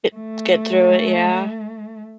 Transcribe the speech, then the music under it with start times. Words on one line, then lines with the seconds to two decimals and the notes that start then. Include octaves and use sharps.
Eh, get through it, yeah.
0.16 A3